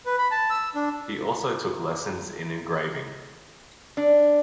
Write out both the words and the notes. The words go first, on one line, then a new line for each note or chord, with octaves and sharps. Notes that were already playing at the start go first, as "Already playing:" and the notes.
He also took lessons in engraving.
B4
B5
A5
E6
D4
D4